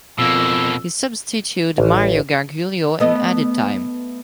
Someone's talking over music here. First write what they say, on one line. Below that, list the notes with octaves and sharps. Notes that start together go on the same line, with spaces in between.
He substituted Mario Gargiulo in added time.
F2 B2 A#3 E6
A1
A3 B3 D#5